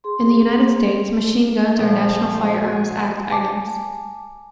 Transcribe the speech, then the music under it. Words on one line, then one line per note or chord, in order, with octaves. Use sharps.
In the United States, machine guns are National Firearms Act items.
G#4 C6
A#1 F3
F#4 G#5
G#5 A5 D6